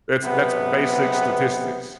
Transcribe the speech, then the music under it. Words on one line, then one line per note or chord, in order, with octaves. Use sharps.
that's that's basic statistics.
B1 C3 B3